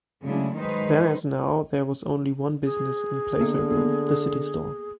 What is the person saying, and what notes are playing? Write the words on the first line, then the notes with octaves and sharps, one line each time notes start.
Then as now there was only one business in Placerville, the city store.
C#3 F#3 G#3 A3 D4 E4
D#3 F#3 G#3 D#4 B4 C5
G#4
D3 A#3 B3 A4